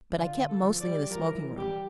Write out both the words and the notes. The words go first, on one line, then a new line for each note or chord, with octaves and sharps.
But I kept mostly in the smoking-room.
D3 F4
A4
F3
D5
G3
F3 A#4
E3
G3 G4